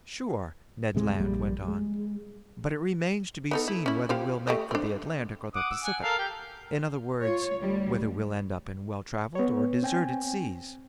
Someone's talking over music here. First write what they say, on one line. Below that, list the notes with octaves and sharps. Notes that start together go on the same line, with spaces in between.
"Sure," Ned Land went on, "but it remains to be seen whether we'll make for the Atlantic or the Pacific, in other words, whether we'll end up in well-traveled or deserted seas."
D1 C3 G#3
A#1 A#2 G3
G#3
B3 D#4 A4
E4
C#4 E4
F4 G4 C5
A3 G4 D#5
C4 D4
F#5 D6 D#6
E6
F#5 G#5
A4 A#4 F5
G4 G5
F4 C#5
D2 G3
B3 C#5
C4 G5 G#5